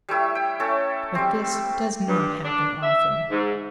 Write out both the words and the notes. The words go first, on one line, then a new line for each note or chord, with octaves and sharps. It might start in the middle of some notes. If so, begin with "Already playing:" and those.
But this does not happen often.
G3 A3 E4 E6
G5
A3 C#4 E4 A4
G3 C4
G2
D4
E5
G#2